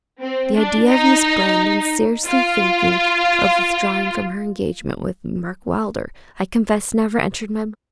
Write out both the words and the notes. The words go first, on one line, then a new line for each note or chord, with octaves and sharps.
The idea of Miss Brandon's seriously thinking of withdrawing from her engagement with Mark Wylder, I confess never entered my mind.
C4
D4
D#4
F4